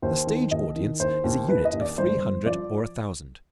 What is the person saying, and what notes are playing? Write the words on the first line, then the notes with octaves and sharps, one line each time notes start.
The stage audience is a unit of three hundred or a thousand.
D#2 C5
D#3
D#2 D#5
D#3
D#2 C5
D#2
D#2 B4
D#5
D#2
D5
G1 C5
G1
F3 D5